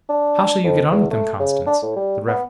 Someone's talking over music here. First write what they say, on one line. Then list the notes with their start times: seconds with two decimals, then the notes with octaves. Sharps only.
"How shall you get on with them, Constance?" the Rev.
0.09 D4
0.64 F2
0.92 E2
1.11 A3
1.40 C#3
1.67 D4
1.82 A2
1.96 G3
2.28 B3